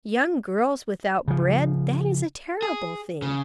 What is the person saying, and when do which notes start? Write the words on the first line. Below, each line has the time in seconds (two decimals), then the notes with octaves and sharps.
Young girls without bread--that is a terrible thing.
1.28 C#3 F3
2.62 G#4
3.22 C#3